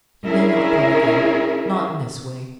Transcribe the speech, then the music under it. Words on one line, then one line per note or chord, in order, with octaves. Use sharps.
You may not come again,--not in this way.
C#4 D4 E4 G#4 A#4 E5